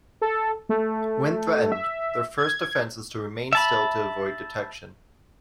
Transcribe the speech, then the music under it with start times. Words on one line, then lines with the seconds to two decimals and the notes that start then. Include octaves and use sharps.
When threatened, their first defense is to remain still to avoid detection.
0.22 A4
0.69 A3
1.72 E5
2.38 G#6
3.53 E5 A5 B5